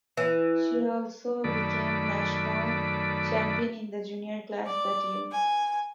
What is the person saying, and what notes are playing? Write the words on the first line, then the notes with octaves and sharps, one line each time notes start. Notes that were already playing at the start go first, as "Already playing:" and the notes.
She also became national champion in the Junior class that year.
E3
F#2 D#3 A3 D5 B5
D5
G#5